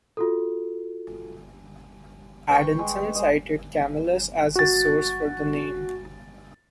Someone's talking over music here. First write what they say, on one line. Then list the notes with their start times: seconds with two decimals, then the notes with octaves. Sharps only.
Adanson cited Camellus as his source for the name.
0.17 F4 F#4 A4
2.50 B4 G5 C#6
2.79 G#3
3.15 G#3 D#5
4.56 F#4 A6